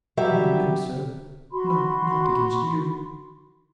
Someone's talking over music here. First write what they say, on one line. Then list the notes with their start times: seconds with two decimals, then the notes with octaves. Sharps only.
"No, no, sir; no, not against you!"
0.17 F#3 G3 G4 E5
1.52 F#4 B5 C6